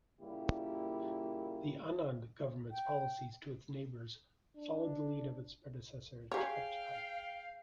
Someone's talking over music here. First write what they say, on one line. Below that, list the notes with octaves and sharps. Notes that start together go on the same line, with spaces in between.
The Anand government's policies to its neighbours followed the lead of his predecessor Chatichai.
A#2 C#3 G3 A#3 E4 G4
G5
D4
G4 G#4 C#5 F5 G5 G#5